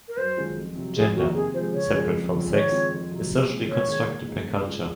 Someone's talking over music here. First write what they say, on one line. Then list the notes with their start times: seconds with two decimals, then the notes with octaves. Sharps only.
Gender, separate from sex, is socially constructed by culture.
0.08 A#4
0.17 F#2 C5
0.37 D#3 G#3 C#4 F4
0.57 F2
0.75 C3 F#3
0.96 F2 G#4
1.14 C3 D#3 A#3 D#4 F#4
1.34 C3 G#4
1.54 F3 C5
1.59 G#3
1.74 C#3 C#5
1.93 F3 G#3 C#4
2.13 F2
2.33 C#3 F3 C4
2.51 D#3 C#5
2.71 G#3 C4 F4
2.91 F2
3.11 C3 F#3
3.30 A#2
3.50 G#3 C4
3.68 G#2 C#5
3.89 D#3 G#3
4.09 A#2
4.28 G#3 D#4
4.47 C#3
4.66 G#3 C#4 F4